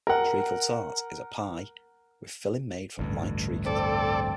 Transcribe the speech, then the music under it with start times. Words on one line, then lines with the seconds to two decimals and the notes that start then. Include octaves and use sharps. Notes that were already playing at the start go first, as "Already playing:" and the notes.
Treacle tart is a pie with a filling made from light treacle.
0.07 A#4 F#5
2.99 A1 D2 G2
3.66 C4 A4 D5